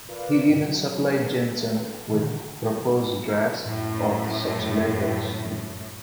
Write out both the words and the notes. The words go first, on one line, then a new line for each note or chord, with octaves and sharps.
He even supplied Jensen with proposed drafts of such letters.
F4 A#4 B4 D5 F5
G2 B2
F#3
A4 B4
A#2 D3 D#3
F#2 A2